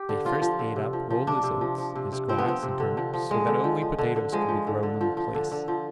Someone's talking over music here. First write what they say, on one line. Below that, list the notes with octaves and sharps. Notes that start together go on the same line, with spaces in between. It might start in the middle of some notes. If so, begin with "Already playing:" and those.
They first ate up all his oats, his grass, and turnips, so that only potatoes could be grown on the place.
Already playing: G4
D3
F3 F4
F3
D3
C3
F3
F3
C3 D4
C3
F3
F3
C3
C3
F3 C4
B3
F3 C4
C3
D3
F3
F3
D3 G#3
D3
F3
F3
D3
D3
F3 G#3
F3
D3
D3
F3
F3
D3
D3
F3